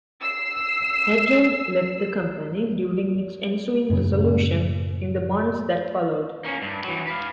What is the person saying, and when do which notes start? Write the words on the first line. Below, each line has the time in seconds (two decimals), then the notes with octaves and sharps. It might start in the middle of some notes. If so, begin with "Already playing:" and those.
Hedlund left the company during its ensuing dissolution in the months that followed.
0.21 E6 C7
3.90 F#2 A2 C#3
6.44 A#3 C#4
6.62 G2
6.84 E3 F#3
7.07 B4 F5